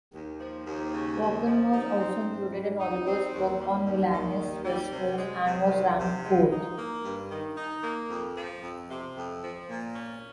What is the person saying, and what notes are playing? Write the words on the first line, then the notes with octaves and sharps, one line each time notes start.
Vachon was also included in Oliver's book on villainous wrestlers and was ranked fourth.
D#2
F3
D#2
C#3
D#2
F3
D#4
C4
G#2
G3
D#4
C4
D#2
G3
D#2
D#3
D#2
G3
C3
G#3
C3
D#3
C3
G#3
D#4
A#3
G2
D#3
D#4
A#3
F2
F3
F2
C3
F2
F3
A#2
C#4